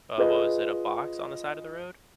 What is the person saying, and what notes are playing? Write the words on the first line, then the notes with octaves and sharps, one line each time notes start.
uh, what was it, a box on the side of the road?
F4 G#4 B4 D#5